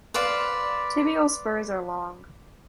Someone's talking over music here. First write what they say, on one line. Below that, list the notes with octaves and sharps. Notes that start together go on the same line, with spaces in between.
Tibial spurs are long.
B4 C5 D5 F5